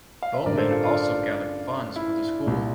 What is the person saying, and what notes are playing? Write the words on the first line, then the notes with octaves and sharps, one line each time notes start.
Bowman also gathered funds for the school.
F5
E5
A1 G2 D3 A#4 D5
A4 C5
F4 A4
D4 F4
D4
E4
C2 A#2